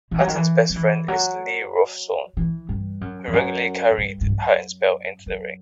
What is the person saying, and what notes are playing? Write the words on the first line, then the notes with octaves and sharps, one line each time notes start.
Hatton's best friend is Lee Rawsthorne, who regularly carried Hatton's belt into the ring.
E3
F#3
D#3
E3
F#3
E3
F#3
E3
G2
F#2
E2
F#2
G2
G2
F#2
F#2